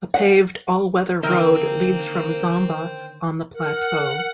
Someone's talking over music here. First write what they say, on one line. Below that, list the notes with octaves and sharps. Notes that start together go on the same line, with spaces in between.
A paved all-weather road leads from Zomba on the Plateau.
F#5
D3 D#3 A#3 D#4 E4 A#4 C5 G5
A#4 F#5